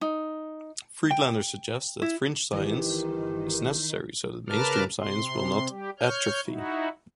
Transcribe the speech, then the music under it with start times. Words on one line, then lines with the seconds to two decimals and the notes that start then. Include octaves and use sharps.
Friedlander suggests that fringe science is necessary so that mainstream science will not atrophy.
0.01 D#4
1.11 G5
2.02 E4
2.53 G1 D#3 E3 G4
4.49 C#3 A#4 B4 A5 D6 F6
5.00 C3 C6
5.68 G3 G4
5.99 C#5 F6 G6
6.47 D#4 E4 F#4